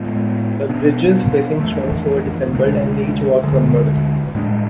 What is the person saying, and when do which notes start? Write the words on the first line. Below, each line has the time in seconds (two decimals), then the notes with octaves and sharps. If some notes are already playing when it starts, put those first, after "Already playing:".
The bridge's facing stones were disassembled, and each was numbered.
Already playing: A2 G#3 B3
0.69 B2 B3 D4
1.60 F2 E3 A3
2.52 D2 C3 G#3
3.43 D2 D3 G#3
4.35 A2 G#3 D4